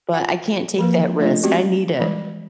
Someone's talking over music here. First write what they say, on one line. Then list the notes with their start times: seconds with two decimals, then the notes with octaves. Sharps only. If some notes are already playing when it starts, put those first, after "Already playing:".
but I can't take that risk, I need it.
0.14 F4 F#5
0.79 F3 A#3 B4
1.19 A3 D4 F4 A#4 D#5
1.43 G#3 C4 C#4 F#4 G4
1.99 E3 G3 G#3